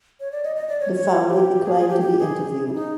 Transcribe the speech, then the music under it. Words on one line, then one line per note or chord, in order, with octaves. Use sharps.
The family declined to be interviewed.
C#5
D5
D#5
D#5
D5
C#5
C#5
G4
G#4
G#4
G4
G4
G#4
E4
D#4